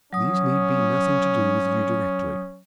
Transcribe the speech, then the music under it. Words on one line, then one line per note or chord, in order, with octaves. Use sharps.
These need be nothing to do with you directly.
F#3 C#4 D#6